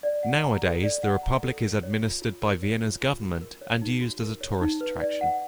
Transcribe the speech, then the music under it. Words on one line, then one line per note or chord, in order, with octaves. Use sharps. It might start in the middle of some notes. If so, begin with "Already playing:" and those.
Nowadays, the Republic is administred by Vienna's government and used as a tourist attraction.
D5
F#5
A#5
A4
D5
F#5
A#5
A4
A#4
C#5
F4
F4
A#4
C#5
F4
F4
F#4
A#4
C#5
D#4
F#4
A#4
C#5
D#4
B4
D5
F#5